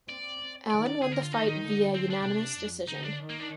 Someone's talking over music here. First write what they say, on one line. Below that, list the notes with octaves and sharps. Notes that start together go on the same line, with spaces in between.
Allen won the fight via unanimous decision.
C4 D5
D#3 D5
D5
D3 G#4
A#4
F4
D#3 D#4
D#4
D3
C4
D4
C3
F2
D3 D#4
D4
D#3
A#3
D4